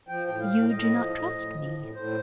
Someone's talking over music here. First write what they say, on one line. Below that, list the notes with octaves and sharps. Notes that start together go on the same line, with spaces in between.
"You do not trust me?"
F3 G5
A2 G5
F5
A2
A2 D#5
F3
A2
A2
F3
A2
A2 C5